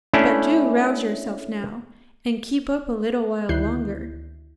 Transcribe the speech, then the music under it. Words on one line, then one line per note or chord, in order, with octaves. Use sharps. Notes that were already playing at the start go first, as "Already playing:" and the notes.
But do rouse yourself now, and keep up a little while longer.
A3 C#4 D4 E4
D2 D#3 E4 F#6 G6 C7